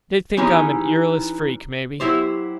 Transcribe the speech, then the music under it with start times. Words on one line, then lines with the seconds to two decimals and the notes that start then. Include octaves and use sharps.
They think I'm an earless freak, maybe.
0.37 E3 C#4 D#4 E4 G4 G#4
2.00 F#3 E4 G4 C5